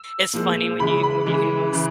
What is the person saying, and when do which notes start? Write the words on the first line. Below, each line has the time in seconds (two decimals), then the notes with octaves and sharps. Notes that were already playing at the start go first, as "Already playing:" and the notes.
It's funny when you when you hear those
Already playing: E6
0.34 A#2 F3 G#3
0.80 C#3 E3 G#3 B5
1.03 B5
1.26 C#3 E3 G#3
1.72 C#3 E3